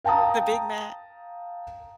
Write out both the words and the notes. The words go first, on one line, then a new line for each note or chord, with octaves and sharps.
The Big Mac?
F5 G5 A5 A#5 D#6